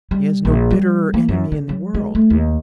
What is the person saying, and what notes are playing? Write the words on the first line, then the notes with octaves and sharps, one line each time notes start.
He has no bitterer enemy in the world!
G3
A#1
G3
A#3
F#2
D3
F#3
G#3
A3
D#2